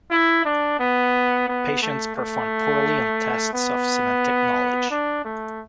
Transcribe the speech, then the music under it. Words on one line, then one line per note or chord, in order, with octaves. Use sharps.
Patients perform poorly on tests of semantic knowledge.
E4
D4
B3
B3
A3
A3
B3
D4
A3